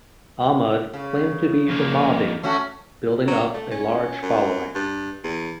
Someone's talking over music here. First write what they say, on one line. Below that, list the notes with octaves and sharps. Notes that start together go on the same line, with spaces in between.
Ahmad claimed to be the Mahdi, building up a large following.
C#3
F2 A#3
A3 C#4 F#4
F#3
A3
C#4
F#2
G2
E2